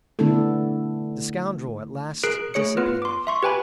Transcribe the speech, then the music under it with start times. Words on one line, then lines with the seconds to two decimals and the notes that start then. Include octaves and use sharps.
The scoundrel at last disappeared.
0.19 D3 A3 B3 D4 E4 A4
2.24 G#4 A#4 F#6 C7 D7
2.54 A3 G#4 C#5 C#7
2.77 B3 F4 B4 F6
3.02 C6 D6
3.27 E5 C6 C#6
3.43 G4 B4 G5 G#5 B5